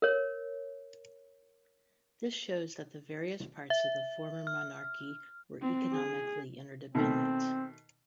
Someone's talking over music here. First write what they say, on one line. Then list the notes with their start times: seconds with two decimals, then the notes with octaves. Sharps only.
This shows that the various parts of the former monarchy were economically interdependent.
0.02 A#4 C#5
3.70 E5
4.47 F6
5.62 C4
5.93 G#4
6.95 B2 D#3 A3 C4